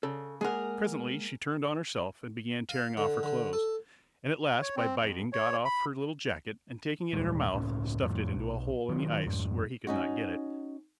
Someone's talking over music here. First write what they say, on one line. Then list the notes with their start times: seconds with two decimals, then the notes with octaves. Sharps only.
Presently she turned on herself and began tearing off her clothes, and at last by biting got off her little jacket and taking it in her mouth stuffed it into a hole in the ice where he could not get it.
0.03 C#3 A4
0.41 G#3 A#3 G#4 A#4 F#5
2.69 F5
2.97 D3
3.23 D3
3.53 A4
4.62 C#5
4.76 C4
5.00 F2
5.33 C#5
5.65 B5
7.13 D#2 A#2 G3 G#3
7.53 C#2 A2 C#4
8.02 F2 A2
8.35 B1
8.89 D#3 F#3
9.27 F2 G#2
9.87 C#4 D#4 F#4